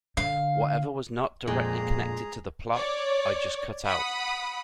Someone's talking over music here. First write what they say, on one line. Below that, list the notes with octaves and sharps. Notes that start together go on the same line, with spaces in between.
Whatever was not directly connected to the plot, I just cut out.
D3 F5
A#1 F2 A#2 G#3 G#4 A#5
C#5 D5
F#5 B5 D#6